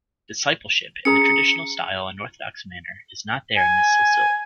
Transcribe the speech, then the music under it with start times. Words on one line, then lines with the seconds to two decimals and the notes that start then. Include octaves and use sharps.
Discipleship of the traditional style and orthodox manner is not there in this silsila.
1.05 C#4 G#4 A#5 C#7
3.57 G#5